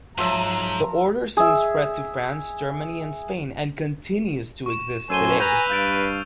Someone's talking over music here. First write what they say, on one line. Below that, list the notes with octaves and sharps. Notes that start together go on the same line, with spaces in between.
The Order soon spread to France, Germany and Spain, and continues to exist today.
G#2 F3 F#3 E5 A#5
G#4 E5
C#6 E7
F#2 A2 C5 G#5 E6 D#7 G7
B4 G#5 A#5 G6 F7
G2 F5 G6 A6 D7